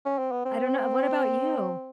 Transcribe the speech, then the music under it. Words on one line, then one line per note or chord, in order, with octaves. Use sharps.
I don't know What about you?
C#4
C4
B3
C4